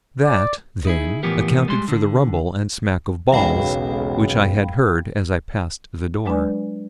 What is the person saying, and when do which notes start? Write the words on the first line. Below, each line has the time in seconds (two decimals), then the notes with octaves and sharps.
That, then, accounted for the rumble and smack of balls which I had heard as I passed the door.
0.24 D5
0.85 D#4 E4 G#4
1.23 A2 E3 F3 B3 G4 A#4
1.68 G3 G#3 C6
1.88 D3
3.32 E1 B1 C#3 G#3 F5 G5 B5
6.25 F#3 G#3 D4 B4 D5 G#5